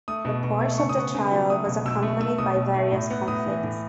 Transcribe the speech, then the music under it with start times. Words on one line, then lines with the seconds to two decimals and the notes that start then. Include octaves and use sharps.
The course of the trial was accompanied by various conflicts.
0.08 A3 D#6
0.25 B2
0.43 B2
0.61 A3
0.78 C#3 C#6
0.89 D#6
0.97 B3 C#6
1.15 C#3
1.32 F#3
1.50 A3 D#6
1.67 B2
1.85 B2 E6
2.03 A3
2.21 A3 E6
2.38 B2 D#6
2.56 B2
2.74 A3
2.92 A2
3.10 B3
3.28 A2 D#6
3.46 E3
3.63 A2